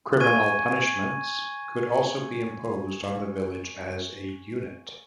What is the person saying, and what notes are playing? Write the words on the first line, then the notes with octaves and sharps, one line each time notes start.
Criminal punishments could also be imposed on the village as a unit.
G#5 C#6 G#6 D#7